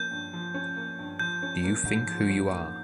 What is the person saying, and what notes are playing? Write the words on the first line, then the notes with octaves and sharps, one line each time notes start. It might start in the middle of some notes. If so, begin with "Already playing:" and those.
Do you think who you are?
Already playing: F3 A#3 C#4 G6
G2
F3
C#4
A#3
G2
F3 G6
C#4
A#3
G#2
F3
C#4
A#3